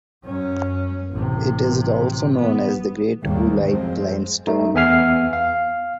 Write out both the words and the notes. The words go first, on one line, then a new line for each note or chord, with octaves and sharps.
It is also known as the Great Oolite Limestone.
F#2 C#4
A1 C3
B3
G#1 D#2 D#3 G3 A3 A#3
F#2 F3 G#3 C4
A3 D#4
E2 B3 E5 G#5 F6 C7
F5